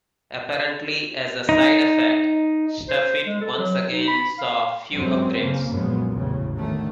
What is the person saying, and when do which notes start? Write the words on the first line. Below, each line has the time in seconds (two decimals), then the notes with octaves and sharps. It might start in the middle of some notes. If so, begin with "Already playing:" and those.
Apparently as a side-effect, StuffIt once again saw few upgrades.
1.49 D#4
2.88 C5
3.26 G#3
3.41 A4
3.59 F#3
3.90 D#4
4.07 B5
4.38 F5
4.93 F#2 F#3 G#3 C4 C#4
5.39 C#3 A#3
5.69 F#2 A#2 F3 G#3 B3
6.09 A1 E2 A2 C#3
6.56 D3 D#3 A3